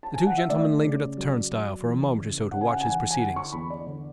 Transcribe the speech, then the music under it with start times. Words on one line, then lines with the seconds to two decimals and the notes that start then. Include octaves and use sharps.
The two gentlemen lingered at the turnstile for a moment or so to watch his proceedings.
0.03 A5
0.14 G#5
0.27 F#5
0.38 E5
0.50 A3 D5
0.84 C#3
1.18 F#3
1.51 F#3
1.85 E3
2.19 C#3
2.51 C#3 F#5
2.61 G#5
2.71 F#5
2.81 G#5
2.86 E3 F#5
3.11 G#5
3.19 D3 F#5
3.36 C#6
3.52 E2 B5
3.70 D5
3.86 D3